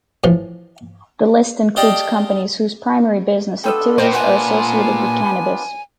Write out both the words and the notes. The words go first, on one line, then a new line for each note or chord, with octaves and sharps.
The list includes companies whose primary business activities are associated with cannabis.
A2 E3 F3
G4 D5 D#5 F5 G5 A5
B3 D4 F4 A4 G5 D#6 E6
A#2 C5 D#5 G5
B4 C5 F#5 G#5